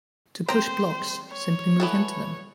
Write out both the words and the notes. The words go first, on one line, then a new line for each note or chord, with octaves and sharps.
To push blocks, simply move into them.
C4 C5 G5 A#5
C#5
E3 B3 A4